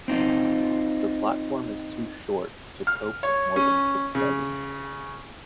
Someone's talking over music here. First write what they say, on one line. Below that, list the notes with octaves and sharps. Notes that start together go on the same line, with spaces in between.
The platform is too short to cope more than six wagons.
C4 D#4 F4
F6
C#5
C#4
C#3